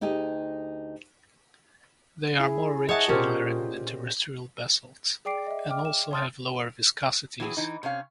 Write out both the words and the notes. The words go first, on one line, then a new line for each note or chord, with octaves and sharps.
They are more rich in iron than terrestrial basalts, and also have lower viscosities.
D2 D#4 G4 G#4 D#5
E4 G#4
G#4 C#5 D#5 E5 F#5 A5
A#2 C#4 F4 G4 A#4 C5
G#4 D5 G5 D6 C7 D7
D#5 E5
G5 D6 F6
E7
C#5 A5 C6 D#6 F6 A6
E3 F#3 G4 G#4
E3 D#4
C3 C#4 C#5 F5